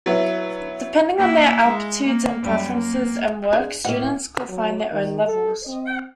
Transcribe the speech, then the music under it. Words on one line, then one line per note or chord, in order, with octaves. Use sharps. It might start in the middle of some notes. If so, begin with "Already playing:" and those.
Depending on their aptitudes and preferences and work, students could find their own levels.
F#3 B3 E4
A#3 E4
G#3
A#3
F#2 G3
A#3
D4 G#4 C5
A2 A#3 F#5
F#3
D#3
A4
C4